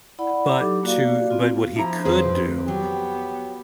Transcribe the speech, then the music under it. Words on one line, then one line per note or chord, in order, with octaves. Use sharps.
But to but what he could do,
E4 D5 F#5 B5
F#3 D#4 G4 A4 D6
A#3 F#4 D5 F5
B3 C4 F4 F#4
F3 D4 E4 A#5
F2 C4 G#4 B4 C5
F#3 B3 G4